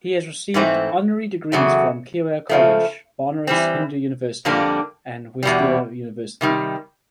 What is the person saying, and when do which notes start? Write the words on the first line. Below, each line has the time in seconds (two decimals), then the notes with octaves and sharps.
He has received honorary degrees from Keiwa College, Banaras Hindu University, and Waseda University.
0.54 G#2 E3 A3 C4
1.52 E2 C#3 F#3 A3
2.49 C#3 F3 A3
3.47 E3 G3 C4
4.45 F2 D3 G3 A#3 D4
5.43 E2 B2 G3
6.41 C3 D#3 G3